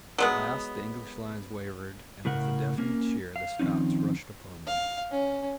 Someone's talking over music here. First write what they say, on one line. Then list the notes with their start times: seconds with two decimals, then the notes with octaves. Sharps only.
At last the English lines wavered and with a deafening cheer the Scots rushed upon them.
0.18 F#3 G#3 B3
2.25 A2 C#3 A3 A#4 F#5
2.78 A#3 C#4 A#4
3.36 F5
3.59 D#3 F3 C4 C#4 D#4
4.67 F5
5.11 C#4